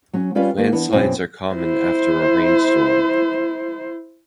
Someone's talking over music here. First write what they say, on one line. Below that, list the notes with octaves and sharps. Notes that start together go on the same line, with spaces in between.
Landslides are common after a rainstorm.
F#3 C#4
G3 C#4 F4 B4 D5 F5
D#3 A#3 F4
E3 B3 D4
F#2 B2 C4 C#4
E4 C5